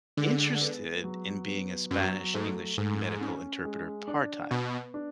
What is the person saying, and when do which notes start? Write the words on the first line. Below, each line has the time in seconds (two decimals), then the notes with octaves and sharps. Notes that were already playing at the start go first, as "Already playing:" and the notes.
interested in being a Spanish-English medical interpreter part time,
0.17 D3 G#3
0.61 B3
1.04 F#3
1.47 B3
1.91 F#2 F#3
2.34 G#2 A3
2.78 G#2 A3
3.21 C#4
3.65 G#3
4.08 D4
4.50 B2 B3
4.94 D4